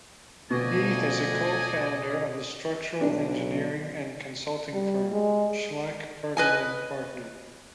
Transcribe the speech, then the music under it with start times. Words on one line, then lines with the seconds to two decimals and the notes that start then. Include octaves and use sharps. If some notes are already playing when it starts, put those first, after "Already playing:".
He is a co-founder of the structural engineering and consulting firm schlaich bergermann partner.
0.51 D2 B2 F3 D5 D#5 G#5
3.01 B1 D4
4.73 G3
5.12 G#3
6.37 B4 D#5 G#5